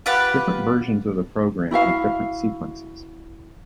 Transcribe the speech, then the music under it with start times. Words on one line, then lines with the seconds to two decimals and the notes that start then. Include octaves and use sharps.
Different versions of the program have different sequences.
0.06 F4 G4 B4 F#5
1.71 E4 F#4 E5 F5